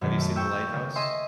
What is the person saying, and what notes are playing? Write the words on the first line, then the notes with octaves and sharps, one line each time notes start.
Have you seen The Lighthouse?
F#2 B2 D#3
A3
G5 C#6 E6 G6
C#3
D#5 E5 G#5 C6